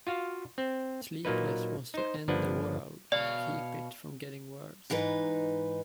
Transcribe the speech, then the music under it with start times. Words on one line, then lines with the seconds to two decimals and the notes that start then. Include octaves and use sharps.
Sleepless wants to end the world to keep it from getting worse.
0.07 F4 F#4 F5
0.58 C4
1.25 A#2 F#3 A#3 D#4 B4
1.94 D#4 C5
2.28 G1 F3 A#3 D4 B4 F#5
3.12 B2 C#5 D5 F5
4.90 G#2 E3 D#4 B4